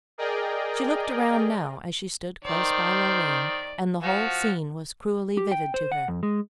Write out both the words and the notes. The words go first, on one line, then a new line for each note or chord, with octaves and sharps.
She looked around now as she stood close by Loreen, and the whole scene was cruelly vivid to her.
G#4 A#4 D5 D#5 G5
D#3 C5 D5
F3 F#4
G4
G5
C5
F#5
F2
G#3